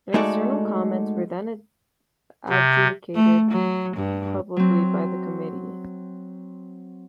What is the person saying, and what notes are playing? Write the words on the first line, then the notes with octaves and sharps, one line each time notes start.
External comments were then adjudicated publicly by the committee.
G#3 A3 D#4 F#4 A4 D5
C3
A3
F#3
G2
F#3 C4